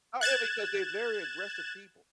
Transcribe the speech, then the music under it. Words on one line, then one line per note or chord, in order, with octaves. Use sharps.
however because they're very aggressive people.
F#6 G#6 A6 E7